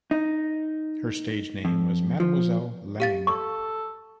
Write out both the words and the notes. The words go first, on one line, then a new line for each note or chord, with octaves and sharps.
Her stage name was Mademoiselle Lange.
D#4
F2
F3
G4 F5 A6
A4 C#6